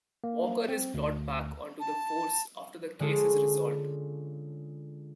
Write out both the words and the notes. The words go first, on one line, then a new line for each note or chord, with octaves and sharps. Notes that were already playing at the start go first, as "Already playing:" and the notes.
Walker is brought back onto the force after the case is resolved.
A#3
C4
D2
A5
D3 G#3 C#4 F4 A4